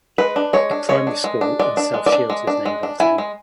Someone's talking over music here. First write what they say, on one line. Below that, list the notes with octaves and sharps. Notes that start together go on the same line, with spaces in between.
A primary school in South Shields is named after him.
G#3 B4
D4
G#3 C#5
D4
G#3 C#5
D4
G#3
D4
G#3 D5
D4
G#3
D5
D4
G#3
D4
G#3
D4
E4 G#5
G#3